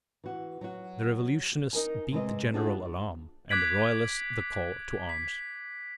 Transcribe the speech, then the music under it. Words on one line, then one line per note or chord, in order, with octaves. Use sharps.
The revolutionists beat the general alarm, and the royalists the call to arms.
E3 F#4
F#3 F#4
D#4 A#4 G#5
C3 G#3 C4 B4 D#5
D4 F4 F#4 G#4 C5 E5
D6 F#6 G#6 B6 D7 F#7
B6